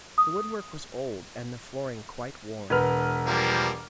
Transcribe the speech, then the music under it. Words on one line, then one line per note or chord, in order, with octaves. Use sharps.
The woodwork was old and the flooring quite worn.
D#6
E1 B4 F6
F3 G3 A#3